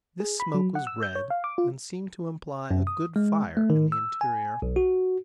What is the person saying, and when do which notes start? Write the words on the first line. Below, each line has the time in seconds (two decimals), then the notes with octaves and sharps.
This smoke was red, and seemed to imply a good fire in the interior.
0.20 G#4
0.40 B5
0.54 F#3
0.75 F#5
0.87 E6
1.03 G6
1.15 C#5
1.30 F5
1.44 D6
1.58 F4
2.71 F#2
2.87 D#6
3.16 G#3
3.57 A3
3.70 D#3
3.92 E6
4.21 G#5
4.62 B1
4.76 F#4